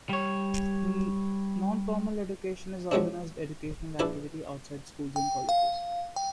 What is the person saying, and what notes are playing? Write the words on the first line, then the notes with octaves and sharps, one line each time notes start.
Non-formal education is organized educational activity outside schools and colleges.
G3 C#5
F3 F#3 G#3 C4 D4
A#1 E4 B4 D5 G#5 A5
G5
F5
G5